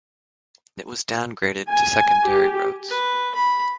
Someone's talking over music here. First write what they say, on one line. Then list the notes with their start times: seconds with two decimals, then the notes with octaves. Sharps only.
It was downgraded to secondary roads.
1.70 G#5
2.24 G4
2.89 B4
3.35 B5